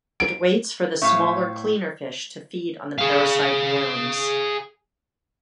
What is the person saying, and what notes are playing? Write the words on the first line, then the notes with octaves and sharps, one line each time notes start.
It waits for the smaller cleaner fish to feed on the parasite worms.
D7
A2 C4 C#5 E5 F5
G#4 F5